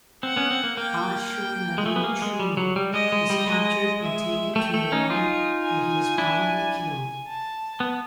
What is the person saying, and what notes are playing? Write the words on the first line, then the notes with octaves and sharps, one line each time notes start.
Ashur-nadin-shumi was captured and taken to Elam where he was probably killed.
C4 F#5
B3 C#4
C4
A#3
A#3 G5
G5
G#3
A3 G#5
B3
A#3
G#3
G3
F#3
G3
G#3 D#5
G#3
G3
G#3
E5
A3 G5
A3
C#4 D#4
D#4 F4 G#5
G#5
D4 E4
A5
B3